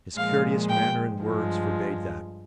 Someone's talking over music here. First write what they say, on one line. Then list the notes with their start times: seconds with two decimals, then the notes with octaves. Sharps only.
His courteous manner and words forbade that.
0.15 A#2 F3 G#3 F5
0.69 G5
1.22 G2 F3 G#3